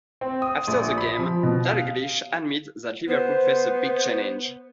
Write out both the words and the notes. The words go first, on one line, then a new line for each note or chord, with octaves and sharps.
After the game, Dalglish admitted that Liverpool faced "a big challenge".
C4
D#6
A#1
B5
F3
B2
F5
B3 C5